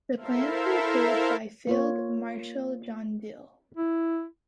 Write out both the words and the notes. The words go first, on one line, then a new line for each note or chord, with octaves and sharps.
The plans were approved by Field Marshal John Dill.
E4 A4 A#4 C5 E5 F5
A#3 F4 C#5
E4